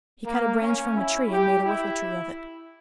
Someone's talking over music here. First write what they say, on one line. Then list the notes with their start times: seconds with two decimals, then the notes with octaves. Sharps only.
He cut a branch from a tree and made a whiffle-tree of it.
0.26 A#3
0.61 C#4
0.95 E4
1.31 G4
1.65 E4